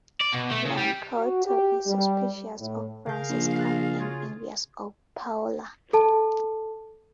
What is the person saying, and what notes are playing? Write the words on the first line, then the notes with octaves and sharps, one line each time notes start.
Lanceotto is suspicious of Francesca and envious of Paolo.
D5
B2
A3
C#3
G3
F#4
G4
G3
A2
C#3 G#4 A#4 F5 G6
A#1
F#6 A6 A#6
C#3 F4 F#4 G#4
A4 A5